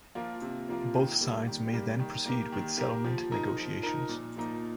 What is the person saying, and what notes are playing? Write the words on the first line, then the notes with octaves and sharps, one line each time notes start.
Both sides may then proceed with settlement negotiations.
F3 A#3 F4 A#4
C3
F3 A#3 F4 A#4
D#3
G3 A#3
D#3
G3 A#3
D#3
A#3 G4 A#4
D#3
A#3 G4 A#4
F3
D#4 A#4
F3
D#4 A#4
A#2
F3 A#3 D#4